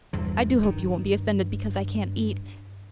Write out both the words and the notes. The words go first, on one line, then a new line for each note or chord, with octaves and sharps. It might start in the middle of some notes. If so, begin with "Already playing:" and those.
I do hope you won't be offended because I can't eat.
E2 G2 F3
G2 D#3